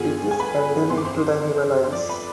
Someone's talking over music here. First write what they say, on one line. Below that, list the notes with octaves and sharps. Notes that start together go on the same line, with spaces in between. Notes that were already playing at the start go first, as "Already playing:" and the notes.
It is endemic to the Himalayas.
Already playing: G2 D3 F3 B3 F4 G#4 G#5
G#5
B4 B5
G1 F2 C3 C6
D6
C5 C6
C6
F2 C3 F3 D5 D6
B4 B5